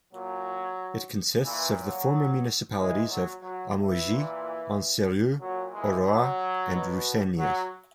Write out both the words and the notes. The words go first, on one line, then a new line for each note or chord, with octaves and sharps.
It consists of the former municipalities of Amougies, Anseroeul, Orroir and Russegnies.
A#2 F#3
A#2 E3
F#3
A#2 E3 G#3
F#3
F#3
E3
A#2
A#2 F#3
E3 G#3
F#3
B2
F#3